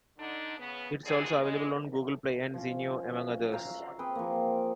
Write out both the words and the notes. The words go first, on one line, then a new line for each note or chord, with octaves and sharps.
It is also available on Google Play and Zinio, among others.
D3 D4 D#4
C#3 B3
A#2 D3 G3 D4 G#4
G#3
F3 C#4
F#4 E5 F5 A#5
C4 G#4 B4 G5
F3 A#3